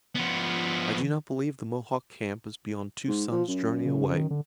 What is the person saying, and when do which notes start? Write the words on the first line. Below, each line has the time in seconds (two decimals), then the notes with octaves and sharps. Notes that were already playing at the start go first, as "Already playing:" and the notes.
I do not believe the Mohawk camp is beyond two suns' journey away.
0.15 F3 B3
3.08 G#2
3.32 F3
3.48 F#2
3.85 C#3
4.14 D#3
4.31 D3